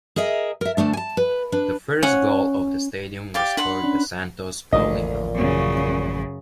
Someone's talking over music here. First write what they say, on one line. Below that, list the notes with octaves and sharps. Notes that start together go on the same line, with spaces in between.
The first goal of the stadium was scored by Santos' Paulinho.
G#4 A#4 D#5 E5 A#5
A#4 E5
D2 A3 D4 A5
G#5 A5
B4
D4 B4
C#4 F#5
G4 D5 F5
D4 B4 F#5 C6
C#4 D4
A1 D2 A#2 F3 D#5
F#2 C#3